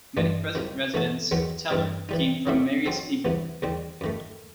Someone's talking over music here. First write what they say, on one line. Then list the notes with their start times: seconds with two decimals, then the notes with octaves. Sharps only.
Many present residents of Teller came from Mary's Igloo.
0.17 A1 G2 E3 G3 D#4
0.55 C2 C3 D#3
0.94 E3 A3 D#4 F#4 A4
1.31 E2 D#3 F#3 B3
1.70 G2 E3 G3 C4
2.09 E3 G3 D#4
2.47 D#3 F#3 A3 E4
2.86 F#3 C4 D#4 A4
3.25 C2 C3 E3 B3
3.62 E2 D#3 G3 C4
4.01 F#2 D#3 A3